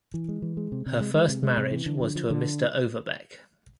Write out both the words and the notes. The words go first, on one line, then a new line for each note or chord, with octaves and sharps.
Her first marriage was to a Mr. Overbeck.
E3
G#3
E3
G#3
C3
C3
G#3
G#3
C3
G#3
C3
E3
D3
F3
F3
D3